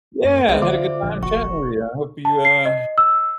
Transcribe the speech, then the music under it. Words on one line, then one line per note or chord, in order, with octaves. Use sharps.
Yeah, had a good time chatting with you, I hope you, uh,
F#2 A#3
C2 G#3 B3 C4 C5 D5 E5
D3 F4 D6
A#1
F1 F#4 C#6
A5
C7
D#5
E6